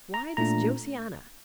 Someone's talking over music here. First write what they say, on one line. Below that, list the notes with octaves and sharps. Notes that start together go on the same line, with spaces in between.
Why this Josiana?
A#5
A#2 A3 D4 A#5